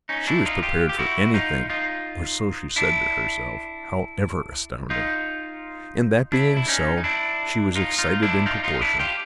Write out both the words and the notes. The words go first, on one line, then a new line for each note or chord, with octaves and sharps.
She was prepared for anything, or so she said to herself, however astounding; and, that being so, she was excited in proportion.
C#4 D#4
D4 E4
D#4 F4
F4 G4
G4
E4 F#4
D#4 F4
D#4 F4
D4 E4
D#4 F4
D4 E4
E4
C#4 D#4
D#4
D4 E4
D#4 F4
D#4 F4
D4 E4
D#4 F4
D#4 F4
D#4
D4 E4
F4 G4